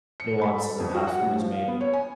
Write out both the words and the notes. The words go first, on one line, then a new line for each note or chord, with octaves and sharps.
nuances of how food is made.
C#7
B5
A4
F2
F#4
F#5
A2
F3
F5
B3
C#5
G#5